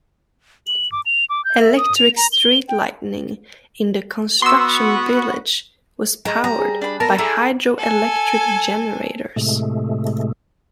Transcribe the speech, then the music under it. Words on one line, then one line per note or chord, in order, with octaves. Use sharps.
Electric street lighting in the construction village was powered by hydroelectric generators.
F#7
D6
F7
D6
G6
E5
D#6
F7
A#5
G7
G5
B3 F#4 C6 E6
G#3 A#5
G3 A#5
G#4
D4 B5
A#3 B3 A4 A#4 A5 A#6
E4 G#4 A4 D5 A#5
A4 G#5
A2 C3 G#3 A3